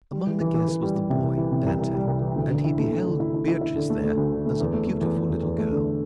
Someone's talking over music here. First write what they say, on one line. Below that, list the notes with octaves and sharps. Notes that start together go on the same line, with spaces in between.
Among the guests was the boy, Dante, and he beheld Beatrice there as a beautiful little girl.
G3
E3
E3
E3
E3
G3
G3
C3
C2
E3
C3
C2
C2
G3
C2
E3
D2
D3
E4
A3
A3
D3
E4
E4
E4
E4
D3
A3
A3
D2
D3
A3
E2
A3
A3
E2
E2
E2
E2
A3
D3